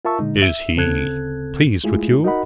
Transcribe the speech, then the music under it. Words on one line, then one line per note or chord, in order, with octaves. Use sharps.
"Is he pleased with you?"
F4 A#4 E5 A5 C#6 E6
A#2 D3 G#3 D#4
E5
D2 C#3 C4 A4 F#6 G#6
G#3 A3 E4 F4 G#4
D#4 F#4 A#4 D#5 F#5 B5